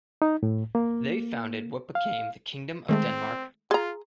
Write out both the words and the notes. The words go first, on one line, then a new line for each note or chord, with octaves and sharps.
They founded what became the Kingdom of Denmark.
D#4
A2
A#3
F5
D#3 G#3 A3 C4
F4 G#4 A#5 C6